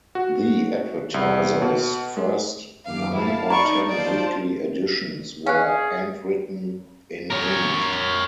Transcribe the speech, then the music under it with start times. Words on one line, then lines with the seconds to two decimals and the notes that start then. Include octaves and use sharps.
The "Advertiser"'s first nine or ten weekly editions were handwritten in ink.
0.15 F#4
1.14 C2
1.62 B2
2.17 G#3
2.85 F#2 F5 D6
3.14 E4 F5 A5
3.50 D#4 D5 A#5 B5 C#6
3.89 F4 C5 D5 A5
5.46 C#4 G#4 F5 G#5 F#6
7.30 A#4 C#5